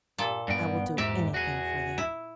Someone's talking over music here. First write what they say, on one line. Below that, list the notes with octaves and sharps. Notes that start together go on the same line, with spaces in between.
I will do anything for thee.'
G2 A#2 A4
G2 B3 G5
E2 G#2 G4 E5
F#4 G#4
E4